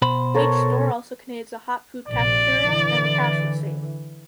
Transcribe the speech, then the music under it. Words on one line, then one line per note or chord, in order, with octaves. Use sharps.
Each store also contains a hot-food cafeteria, and a cash machine.
B2 C5 B5
A4 A#4 C#5
A#1 C3 D5
D3 E3